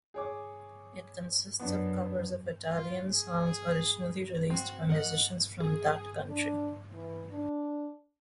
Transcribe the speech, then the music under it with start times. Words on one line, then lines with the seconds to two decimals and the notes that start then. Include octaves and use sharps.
It consists of covers of Italian songs originally released by musicians from that country.
0.14 G#4 C#5 D6
1.60 F#2 B3 D4 D5
2.69 F4
3.09 G#4
4.50 C4 F#4
4.89 A#4 D#5 F#5
5.60 G#4
6.29 D4
6.93 E3
7.31 D4